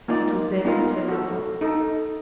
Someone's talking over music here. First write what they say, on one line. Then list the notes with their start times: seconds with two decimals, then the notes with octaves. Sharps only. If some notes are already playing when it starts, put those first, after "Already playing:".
It was then seven o'clock.
0.08 A#3 D#4 F4 D5
0.65 B3 D#4 F4 A#4
1.08 F#4 A4
1.61 D#4 A4